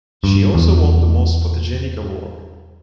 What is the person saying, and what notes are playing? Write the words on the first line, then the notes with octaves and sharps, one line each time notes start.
She also won the Most Photogenic Award.
G2
E2